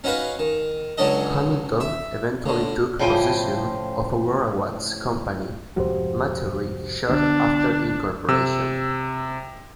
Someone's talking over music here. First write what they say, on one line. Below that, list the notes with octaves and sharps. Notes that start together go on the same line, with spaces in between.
Hamilton eventually took possession of Aurora Watch Company's machinery shortly after incorporation.
C#4 D#4 F#4 B4 F5
D#3
C#2 F#3 C#4 D4 A4 D#5
E5
A2 D3
A2 C#3 F3 C5 G5 G#5
C2 F2 G#2 F#4 G4 C5
C2 D3 B3 D4
C3 E6